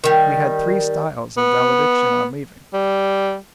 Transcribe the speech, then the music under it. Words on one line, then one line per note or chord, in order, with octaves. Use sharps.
We had three styles of valediction on leaving.
D#3 G3
B3
G3